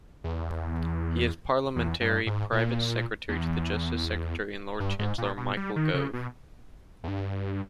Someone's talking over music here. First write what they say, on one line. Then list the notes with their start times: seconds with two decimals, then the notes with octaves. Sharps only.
He is Parliamentary Private Secretary to the Justice Secretary and Lord Chancellor, Michael Gove.
0.24 E2
1.76 E2
2.01 G2
2.26 G#2
2.52 A#2
3.29 E2
4.80 G2
4.99 G#2
5.18 A#2
5.37 B2
5.57 G3
5.76 D#3
5.94 C#3
6.13 B2
7.04 E2
7.08 G2